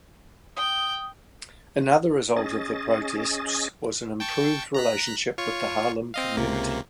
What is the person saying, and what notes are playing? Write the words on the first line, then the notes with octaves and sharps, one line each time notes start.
Another result of the protests was an improved relationship with the Harlem community.
G5 D#6
C#4 G#4 D#5 A6
G5 A5 C#6
A#5 F#6 B6
F4 C#5 C#6
C4 D#5 F5
C#2 C3 A#3